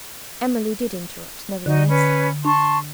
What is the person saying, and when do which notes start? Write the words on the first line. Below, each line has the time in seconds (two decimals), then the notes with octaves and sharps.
Emily did interrupt, nevertheless.
1.66 D3 D#4 F#4
1.88 C#4 B4 B5
2.45 D4 A5 C6 C#6